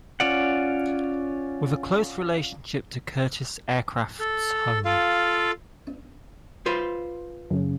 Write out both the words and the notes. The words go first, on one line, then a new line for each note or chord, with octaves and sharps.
With a close relationship to Curtiss aircraft's home.
C#4 F4 D5 F#5
A4
F4 A4 F5
F4 B4 C5
F#2 C#3